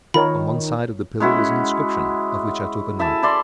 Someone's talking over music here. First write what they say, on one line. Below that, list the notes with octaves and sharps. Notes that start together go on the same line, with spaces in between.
On one side of the pillar was an inscription, of which I took a note.
D#3 F4 A#4 C#5 B5
G#3 C#4 E4 F#4
E4 E5 G#5 A5
E4 D5 C6